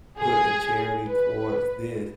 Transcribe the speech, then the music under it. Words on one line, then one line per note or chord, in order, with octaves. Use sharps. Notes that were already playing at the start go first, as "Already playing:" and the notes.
putting charity towards this,
G#4
B4